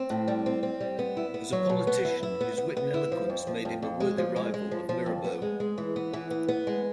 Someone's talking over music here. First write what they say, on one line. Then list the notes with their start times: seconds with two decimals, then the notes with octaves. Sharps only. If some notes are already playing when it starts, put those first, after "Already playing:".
As a politician, his wit and eloquence made him a worthy rival of Mirabeau.
Already playing: C4
0.10 A2
0.28 G3
0.46 C4
0.63 C4
0.80 G3
0.99 B3
1.17 E4
1.34 B3
1.52 F#3
1.69 B2
1.87 B3
2.05 E4
2.23 E4
2.41 B3
2.58 B3
2.77 B3
2.94 E4
3.12 F3
3.30 F2
3.47 F3
3.65 F2
3.82 F2
4.00 G#3
4.18 F3
4.36 G#3
4.54 G#3
4.71 F3
4.89 F3
5.06 F2
5.24 B3
5.42 G#3
5.60 G#3
5.78 E3
5.96 B3
6.13 E3
6.31 B3
6.48 B3
6.67 G#3